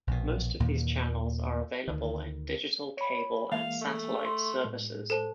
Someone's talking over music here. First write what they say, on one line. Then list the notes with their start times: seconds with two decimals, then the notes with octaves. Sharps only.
Most of these channels are available in digital cable and satellite services.
0.07 A#1 B2
0.60 D#2 A#2 D#3 E3
1.88 D2 D#3
2.97 C#5 B5
3.52 E3 G#3 A#3 E5 F5
3.82 A3
4.25 C6
4.64 A2 G#3
5.10 A4 C5 A5